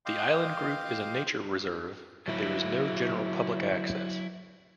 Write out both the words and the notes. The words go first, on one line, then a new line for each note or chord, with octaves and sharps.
The island group is a nature reserve and there is no general public access.
D#5 F5 G5 C6 D6
F#3 E4